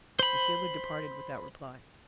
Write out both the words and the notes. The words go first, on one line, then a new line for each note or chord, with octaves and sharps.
The sailor departed without reply.
C5 B5